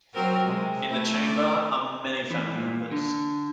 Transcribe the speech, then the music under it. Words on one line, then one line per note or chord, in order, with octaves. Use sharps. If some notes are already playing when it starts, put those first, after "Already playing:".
In the chamber are many family members.
F#3 C4 A#4
C3 G#3
A3 E4
D5
E3
A#2
D3